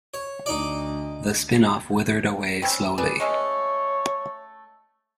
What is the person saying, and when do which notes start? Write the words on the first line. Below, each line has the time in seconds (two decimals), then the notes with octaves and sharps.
The spin-off withered away slowly.
0.14 C#5
0.46 D2 D#4 D5
2.62 G3 C4 C#4
2.98 G#4 B4 D5
3.20 G#3 A3 C#4 C#5